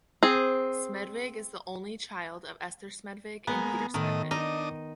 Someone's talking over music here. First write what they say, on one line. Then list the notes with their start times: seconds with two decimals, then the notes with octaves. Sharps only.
Smedvig is the only child of Esther Smedvig and Peter Smedvig.
0.23 C4 G#4
3.47 G#3 A#3 B3
3.94 A2 D#3 D#5
4.31 D4 D#4 D#5